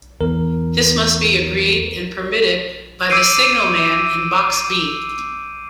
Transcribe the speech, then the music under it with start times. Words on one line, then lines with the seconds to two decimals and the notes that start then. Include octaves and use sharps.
This must be agreed and permitted by the signalman in box B.
0.21 E2 A#4
3.10 D6 E6 G6 C7 D7 D#7